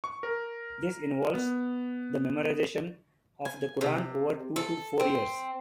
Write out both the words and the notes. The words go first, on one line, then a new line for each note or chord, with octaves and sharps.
This involves the memorization of the Quran over two to four years.
C#6
A#4
B3
G#5
C3
A4
C4